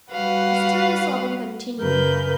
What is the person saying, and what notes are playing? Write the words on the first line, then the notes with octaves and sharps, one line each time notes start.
Still the sobbing continued.
G3 F#4 B4 F5 F#5
F#2 C#3 A#4 B4 G6